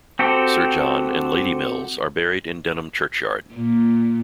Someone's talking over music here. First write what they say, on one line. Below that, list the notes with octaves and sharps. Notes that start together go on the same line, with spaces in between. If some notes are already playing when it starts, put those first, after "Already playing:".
Sir John and Lady Mills are buried in Denham Churchyard.
C4 F#4 G4 A4 C5
A#2